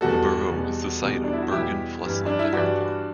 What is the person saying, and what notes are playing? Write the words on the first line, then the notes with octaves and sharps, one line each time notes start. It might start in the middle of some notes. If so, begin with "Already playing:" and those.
The borough is the site of Bergen Flesland Airport.
E2 B2 G3 F#4 A4
E2 B2 G3
E2 B2 G3
D4
E4
F#4
E2 B2 G3 E4 G4
G2 E3 G3
D4
E4
G2 E3 G3 D4 F#4